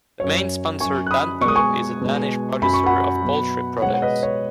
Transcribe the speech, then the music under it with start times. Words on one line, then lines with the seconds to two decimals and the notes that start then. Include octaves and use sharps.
The main sponsor Danpo is a Danish producer of poultry products.
0.20 F#2 F#3 C#5
0.80 F#2 F#3 G#5 C#6
1.07 F#6
1.11 B5 D#6
1.41 B2 C#6
1.45 G#3 D#6
1.55 G#5 C#6
2.01 B2 G#3
2.62 F#2 F#3 B5
2.73 C#6
2.86 F#5 B5
3.22 B2 F#3
3.82 B2 G#3 C#5 F#5
3.94 F#5
4.02 B4 D#5
4.23 C#5